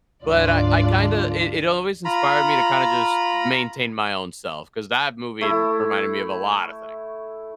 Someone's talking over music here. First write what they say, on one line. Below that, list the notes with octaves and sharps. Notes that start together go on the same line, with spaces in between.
But I I kinda it it always inspired me to kinda just maintain my own self 'cause that movie reminded me of a lot of things.
D2 G#2 F#3 D4 F4 D5
F4 A#5 B5
A3 E4